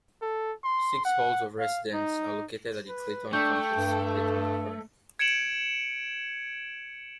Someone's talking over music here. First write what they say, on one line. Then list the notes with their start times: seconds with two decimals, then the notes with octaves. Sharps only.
Six halls of residence are located at the Clayton campus in Clayton, Victoria.
0.22 A4
0.64 C6
1.05 F#5
1.60 F5
1.94 D#4
2.88 B4
3.33 A3 D4 G5 C#6 G6
3.77 G2
4.16 A4
5.19 G#6 C#7 D7 E7 F#7